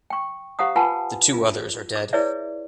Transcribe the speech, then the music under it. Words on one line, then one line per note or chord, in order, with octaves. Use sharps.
The two others are dead.
G5 C#6
G4 C5 F5 F#5 A#5 D#6
F4 B4 F#5 G#5 A5 B5
F4
D6
E4 G#4 B4 C#5 D5 E5